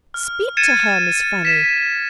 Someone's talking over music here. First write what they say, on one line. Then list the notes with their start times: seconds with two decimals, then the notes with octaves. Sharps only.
Speak to her, Miss Fanny!'
0.14 F6
0.57 G#6 A6 C#7 D#7 E7
1.45 B6 E7